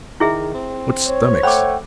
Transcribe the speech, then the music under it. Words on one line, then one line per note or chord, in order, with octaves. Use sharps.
"What stomachs!"
D#3 E4 G#4 E5
C4
C5 C#5
A3 F#5 G5 B5 D6